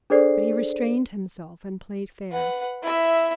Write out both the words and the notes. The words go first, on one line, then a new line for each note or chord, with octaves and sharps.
But he restrained himself and played fair.
D4 G#4 A4 C5 D5 C7
B4 F#5
E4 E5